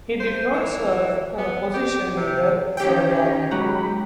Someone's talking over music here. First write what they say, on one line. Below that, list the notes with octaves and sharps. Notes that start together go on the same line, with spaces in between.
He did not serve as opposition leader for long.
C5
E3
B3
G4
C3
D#3 C#4 G4 G5
F#3 G#3 F#5 B5